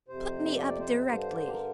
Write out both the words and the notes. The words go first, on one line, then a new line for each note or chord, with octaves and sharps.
"Put me up directly."
F2 C3 C5
D5
C5
G2 D3 C5
C5
D5
C5
G4
A#4